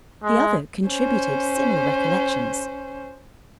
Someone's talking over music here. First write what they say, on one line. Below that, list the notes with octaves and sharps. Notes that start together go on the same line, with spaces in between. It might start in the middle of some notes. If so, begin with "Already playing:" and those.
The other contributed similar recollections.
G#3
C#4 C5